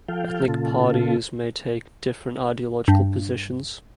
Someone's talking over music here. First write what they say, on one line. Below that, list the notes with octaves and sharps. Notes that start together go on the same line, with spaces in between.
Ethnic parties may take different ideological positions.
F3 A4 F5 G5
A#2 C#3 F4 A4
G2